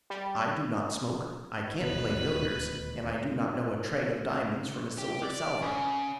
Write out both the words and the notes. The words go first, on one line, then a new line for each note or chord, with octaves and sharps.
I do not smoke, I can't play billiards, and I do not know a trey of diamonds from a silver salver.
G3
D#1 D2 B2 B4
G4
D5
C#3